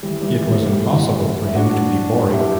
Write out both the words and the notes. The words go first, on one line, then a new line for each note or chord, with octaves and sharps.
It was impossible for him to be boring.
E3 G3
E3 G3
E3 G3
A3
G3
F#3
E3 G3
E4
D4 F#4
E4 G4